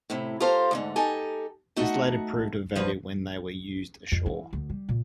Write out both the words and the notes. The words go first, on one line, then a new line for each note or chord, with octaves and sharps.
This later proved of value when they were used ashore.
A2 C3 E4
F4 G4 A4 A#4 C5 F5
D2 G#2 D3
D#4 G4 A4 G#5
A3 D#4 F#4 F#5
G2 F3 F#4 B4
F2
E3
D2
G3
A#2